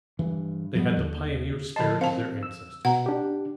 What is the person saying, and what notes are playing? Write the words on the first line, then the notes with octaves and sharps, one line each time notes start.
They had the pioneer spirit of their ancestors.
G2 E3
F3 G3 A3 B3
D#2 D3
D3 F3 D#5 A5
C4 F5 A5
E6
B2 F#5 A#5
D4 G4